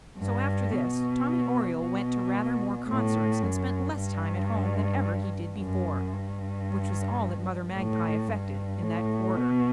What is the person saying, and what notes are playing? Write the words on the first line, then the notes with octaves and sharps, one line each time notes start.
So, after this, Tommy Oriole went to rather more concerts, and spent less time at home than ever he did before, which was all that Mother Magpie effected in that quarter.
G2
B2
B2
A2
F#2
G2
F#2
G2
A2
G2
A2
B2